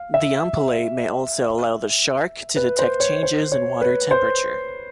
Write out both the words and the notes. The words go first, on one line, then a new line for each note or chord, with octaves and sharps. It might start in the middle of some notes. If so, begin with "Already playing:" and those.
The ampullae may also allow the shark to detect changes in water temperature.
Already playing: F5
E5
B4
C5
C#5
C5
C#5
B4
C5